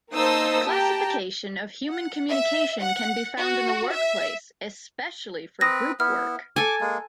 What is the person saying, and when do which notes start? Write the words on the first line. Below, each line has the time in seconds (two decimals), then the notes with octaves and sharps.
Classification of human communication can be found in the workplace, especially for group work.
0.12 A#3 D#4 C5 A5 D#6 E6
0.69 G4 G5 A5 A#5
1.88 F#5
2.29 E5
2.80 F#5
3.37 F#4
3.91 E5
5.61 C4 B4 D#6 A#6
6.00 B3 E4 F6
6.56 A4 G#5 D6
6.81 G#3 A#3